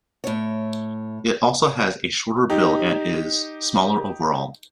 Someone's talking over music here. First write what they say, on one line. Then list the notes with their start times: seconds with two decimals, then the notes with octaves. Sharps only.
It also has a shorter bill and is smaller overall.
0.24 A2 C#5
2.50 D#4 G4